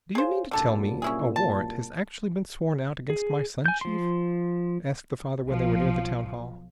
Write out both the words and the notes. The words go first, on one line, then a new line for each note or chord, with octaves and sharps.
"Do you mean to tell me a warrant has actually been sworn out against my son, Chief?" asked the father, when they were near the town hall.
G#4 C5 C#5 F5
C2 F#2 A#2 D3 A4 A5
C#4 E4 G#4
A5
G#4
G#5 G6
F3 C6
B1 F3